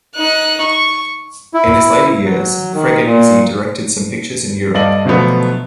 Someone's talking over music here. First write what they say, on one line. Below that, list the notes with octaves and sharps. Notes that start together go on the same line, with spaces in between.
In his later years, Fregonese directed some pictures in Europe.
D#4 F#6
C#6
E4
F#3
D#3
A#2
G2 A4 D5 D#5 F5 F#7
B2 D3 F3 F#3 A3 B3